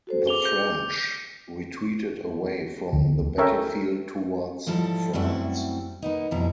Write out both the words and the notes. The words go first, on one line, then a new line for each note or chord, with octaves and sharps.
The French retreated away from the battle field towards France.
F#4 A4 C5
G#4 D6 F7 G7
G6
D2
C#4 A4 A#4 C#5 E5 G5
G#2 F3 G3 E4 A4 A5
F#2 G3 A3 C4 E4 F#5
A#3 B3 D#4
F2 B2 G3 E4 A#5